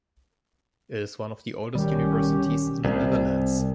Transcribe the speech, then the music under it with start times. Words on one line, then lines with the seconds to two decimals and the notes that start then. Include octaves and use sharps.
It is one of the oldest universities in the Netherlands.
1.75 B1 B2 D#3 G3 C#4 G4
2.85 C2